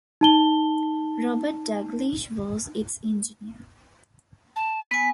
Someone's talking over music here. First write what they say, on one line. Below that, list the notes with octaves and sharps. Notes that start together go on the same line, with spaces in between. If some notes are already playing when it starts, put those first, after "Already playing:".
Robert Daglish was its engineer.
D#4 A5 G7
A5
B3 G#5 B6